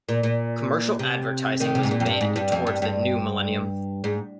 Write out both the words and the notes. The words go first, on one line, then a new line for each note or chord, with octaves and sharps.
Commercial advertising was banned towards the new millennium.
A#2
A#2
C3
C3 D#3
C3
G#2
A#2
F2
G2
G#2
G2
F2
G2
G2
G#2